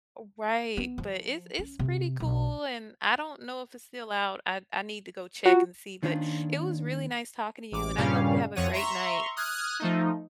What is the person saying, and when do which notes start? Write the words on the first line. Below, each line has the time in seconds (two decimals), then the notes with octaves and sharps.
Oh, right, but it's it's pretty cool, and I don't know if it's still out, I I need to go check and see, but it was really nice talking to you, and I hope you have a great night.
0.77 B3
0.98 F3
1.59 C#4
1.79 C3
2.20 B1
5.46 F4 F#4
6.03 D#2 D#3 C#4 D4 F4 C5
7.72 A1 D6
7.97 G2 A#2 C#3 G3 C#4 F5
8.55 F2 F3 C#5 F#5 D#7
8.73 E5 A#5 C6 C#6
9.36 D#6 F6 F#6 G#6
9.80 F3 A3 D#4